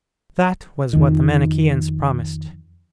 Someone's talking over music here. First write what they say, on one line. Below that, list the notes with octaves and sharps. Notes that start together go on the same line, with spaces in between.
That was what the Manicheans promised.
F2 D#3